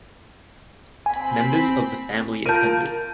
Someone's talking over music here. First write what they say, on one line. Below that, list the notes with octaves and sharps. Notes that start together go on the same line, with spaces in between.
Members of the family attended.
C4 G#5 B5 B6
F4 A#4 A5 G6 D#7